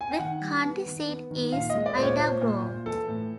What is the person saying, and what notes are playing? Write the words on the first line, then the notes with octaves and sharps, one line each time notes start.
The county seat is Ida Grove.
G#5
G5
D#3 F#5
G3
B3
D#3
B3
D#3
A#2 F5
D#5
G#3
D5
A#2 C5
C#5
A#2 C5
A#2
A#2
E3 A4
A2